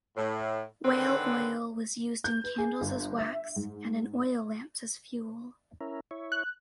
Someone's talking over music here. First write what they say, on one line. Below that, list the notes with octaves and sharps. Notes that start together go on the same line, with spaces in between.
Whale oil was used in candles as wax, and in oil lamps as fuel.
A2
G#2 D3 D#3 C4 C#4 B4
G6
B4
G#4
G1
E5
G#2
C#4 E4 A#4
E4 C#5
F#6